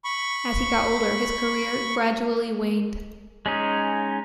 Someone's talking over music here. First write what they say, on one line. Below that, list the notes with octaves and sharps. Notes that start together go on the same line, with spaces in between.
As he got older his career gradually waned.
B5 C#6
G#3 C#4 D#4